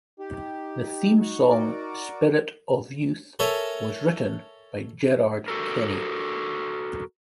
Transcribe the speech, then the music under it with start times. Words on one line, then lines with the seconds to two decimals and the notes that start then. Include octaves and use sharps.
The theme song "Spirit of Youth" was written by Gerard Kenny.
0.19 D#4 G4
1.19 F#4
1.50 F#4 A#4 D5
3.39 A4 A#4 C#5 E5 G#5
5.48 F#4 A4 A#4